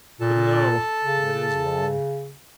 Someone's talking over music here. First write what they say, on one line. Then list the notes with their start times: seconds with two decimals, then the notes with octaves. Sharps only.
But no--it is long.
0.20 A#2 A4 A5
1.03 C#3